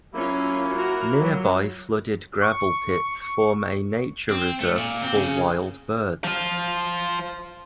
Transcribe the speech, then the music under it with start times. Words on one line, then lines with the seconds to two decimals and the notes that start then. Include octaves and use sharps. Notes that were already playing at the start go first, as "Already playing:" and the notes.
Nearby flooded gravel pits form a nature reserve for wild birds.
0.13 F#3 A#3 C#4 E4 F4
0.73 F4 F#4 A#4
1.19 F#3 F#4
2.42 C#6
4.30 C4
4.60 A3
4.77 A#2
5.02 C4
5.15 C#3
6.24 F3 F4